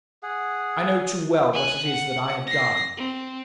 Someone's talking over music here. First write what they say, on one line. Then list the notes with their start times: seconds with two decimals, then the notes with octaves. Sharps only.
'I know too well what it is that I have done.'
0.23 G#4 F#5
1.54 G#5 F#6
1.87 F#5
2.47 A#6 C7
2.97 C4